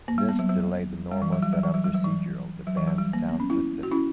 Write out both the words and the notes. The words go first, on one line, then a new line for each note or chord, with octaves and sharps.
This delayed the normal setup procedure of the band's sound system.
A#3
G3
B3
F#3
F#3
G3
E3
F#3
G3
F#3
E3
F#3
G3
F#3
E3
F#3
E3
F#3
G3
A#3
B3
C#4
C#4 E4
F#4
C#4 E4